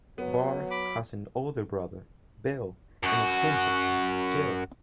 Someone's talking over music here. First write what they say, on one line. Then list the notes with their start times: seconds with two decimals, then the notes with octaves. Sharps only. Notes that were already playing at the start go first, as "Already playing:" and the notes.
Barth has an older brother, Bill, and a twin sister, Jill.
0.18 F#3 B3
0.71 B5 D6
3.03 F#2 F#4